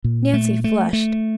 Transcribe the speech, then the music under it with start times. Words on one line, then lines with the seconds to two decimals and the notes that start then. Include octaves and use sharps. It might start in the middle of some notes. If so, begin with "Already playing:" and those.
Nancy flushed.
0.04 A#2
0.34 A3
0.64 A3
0.93 A3